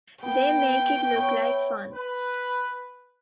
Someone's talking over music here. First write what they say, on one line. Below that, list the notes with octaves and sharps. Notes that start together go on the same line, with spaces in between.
They make it look like fun.
B3 G5
B3 C#5 E5
B4